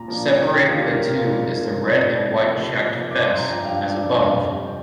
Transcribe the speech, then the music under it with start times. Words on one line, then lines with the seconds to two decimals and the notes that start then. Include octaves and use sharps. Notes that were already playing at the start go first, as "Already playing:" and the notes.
Separating the two is the red and white checked fess, as above.
Already playing: A#2 A#5
0.08 F3 A#3 D4
0.36 A#2 G5
0.63 F3 A#3 D4 F4
0.78 G4
0.90 C3 A#4
1.09 F4
1.18 F3 D4
1.27 F4
1.45 C3 A#4
1.73 F3 D4
2.00 C3 D5
2.28 F3 A#3
2.56 C3
2.83 F3 A#3
3.11 G2 D6
3.25 C6
3.38 F3 D4 A#5
3.52 G5
3.65 G2 F5
3.93 F3 D4
4.20 F2 F5
4.48 C3 G3 D4
4.67 G5